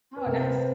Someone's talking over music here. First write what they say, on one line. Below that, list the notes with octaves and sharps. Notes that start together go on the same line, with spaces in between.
Oh, nice.
B4
C3 A#4
C5
B4